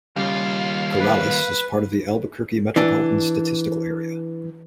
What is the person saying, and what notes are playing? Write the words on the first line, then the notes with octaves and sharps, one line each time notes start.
Corrales is part of the Albuquerque Metropolitan Statistical Area.
D#2 C#3 G3 F4 F5
B4
E3 D4